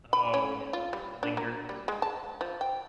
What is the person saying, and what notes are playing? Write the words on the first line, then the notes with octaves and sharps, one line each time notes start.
Oh, yeah. It lingers?
B5
C#4
F4
G3
D4
A#3
G3
G#3
A5
F3
G5